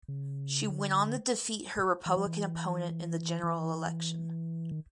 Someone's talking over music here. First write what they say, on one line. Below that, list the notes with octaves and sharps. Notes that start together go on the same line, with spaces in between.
She went on to defeat her Republican opponent in the general election.
C#3
D3
E3
F3
E3
E3
D#3